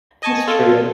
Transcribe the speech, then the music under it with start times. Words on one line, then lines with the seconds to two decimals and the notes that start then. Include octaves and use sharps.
That's true.
0.23 D#5 G#5 A5 C#6
0.47 F4 A4